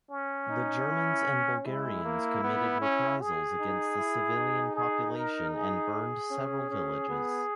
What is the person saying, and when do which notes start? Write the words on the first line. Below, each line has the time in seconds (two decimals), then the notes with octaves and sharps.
The Germans and Bulgarians committed reprisals against the civilian population and burned several villages.
0.11 C#4
0.50 D#4
0.89 E4
1.66 G#3 E4
2.05 A#3
2.44 B3
2.82 C#4
3.21 G#4
3.60 D#4
3.98 E4
4.37 D#4
4.76 G#4
5.15 A#4
5.54 G#4
6.31 C#4
6.71 C#4
7.09 B3